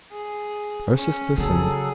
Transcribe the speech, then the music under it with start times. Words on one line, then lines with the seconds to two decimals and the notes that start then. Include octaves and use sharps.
Ursus listened.
0.12 G#4
0.96 C#4
1.38 C#3 F#3 G#4 A4